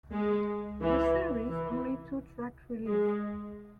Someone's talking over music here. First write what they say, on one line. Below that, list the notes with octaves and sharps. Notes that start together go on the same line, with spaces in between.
The series' only two-track release.
G#3
E3
E3
G#3